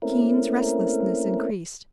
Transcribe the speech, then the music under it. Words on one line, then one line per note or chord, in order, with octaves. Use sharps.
Keene's restlessness increased.
A3 A#3 C4 C#4 E4 A#4